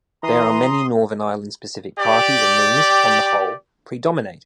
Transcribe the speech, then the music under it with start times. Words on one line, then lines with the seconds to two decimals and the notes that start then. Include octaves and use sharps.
There are many Northern Ireland-specific parties and these, on the whole, predominate.
0.24 E3 A#5 C6 D#6
1.99 G4 D5